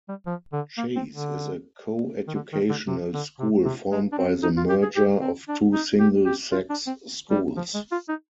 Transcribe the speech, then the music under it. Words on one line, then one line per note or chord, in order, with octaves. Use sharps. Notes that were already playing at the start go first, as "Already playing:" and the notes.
Chase is a co-educational school formed by the merger of two single-sex schools.
G3
F3
D3
A#3
C4
D3
D#3
D3
D#3
D3
C3
D3
C3
C3
G#3
D4
C4
D#4
F4
G4
G#4
G4
C4
D4
D#4
G4
G4
F4
D4
C4
G3
F3
G#3
F4
D#4